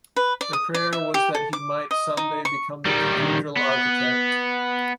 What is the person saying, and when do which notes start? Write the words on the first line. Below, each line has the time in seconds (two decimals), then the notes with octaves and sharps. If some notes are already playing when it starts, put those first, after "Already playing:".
The prayer was that he might someday become the cathedral architect.
0.16 B4
0.41 D5
0.53 D#6
0.74 D5
0.93 E5
1.14 G4
1.35 A4
1.53 D6
1.91 D#5
2.17 D#4
2.45 C#6
2.85 D#3 G3
3.57 B3